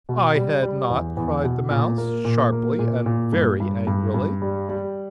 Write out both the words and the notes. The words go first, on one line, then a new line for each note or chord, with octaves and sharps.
'I had NOT!' cried the Mouse, sharply and very angrily.
B2
G3
G3
E2
E2
B2
A#2
A#3
A#2
A#3
A#2
A#2
G2
G2
G2
G2
G3
G3